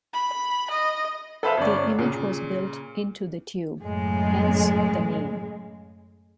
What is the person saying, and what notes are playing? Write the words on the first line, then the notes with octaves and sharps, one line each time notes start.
The image was built into the tube, hence the name.
B5
D#5
A4 B4 C5 E5 F5 A5
G1 C#4 D5
A#2 C#3
F#2 A2 C#3 G#3